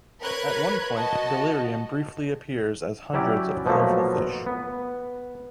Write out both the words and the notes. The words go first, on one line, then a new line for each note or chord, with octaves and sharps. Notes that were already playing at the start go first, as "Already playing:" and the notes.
At one point Delirium briefly appears as hundreds of colorful fish.
A#4 B4 C#5 B5 F#6 G#6
F#4 D#5 A5
F#3 C#4 E4 G4 D5
B2 F3 F#3 A3 A#3
B3